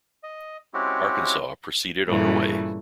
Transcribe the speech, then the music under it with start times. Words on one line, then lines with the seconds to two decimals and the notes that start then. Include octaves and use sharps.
"Arkansas" proceeded on her way.
0.23 D#5
0.74 G#3 C4 C#4 E4 F#4 G4
2.07 G2 A#2 C#3 E3 A3